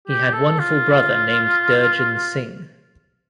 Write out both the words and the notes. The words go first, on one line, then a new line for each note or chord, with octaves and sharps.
He had one full brother named Durjan Singh.
G4
A4
F4